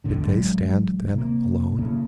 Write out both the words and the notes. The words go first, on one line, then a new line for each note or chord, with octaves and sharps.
Did they stand then alone?
D#1 A1 A2 D3
D1 A1 F#3 G#3
C3 A#3
D1 A2 C#3 A#3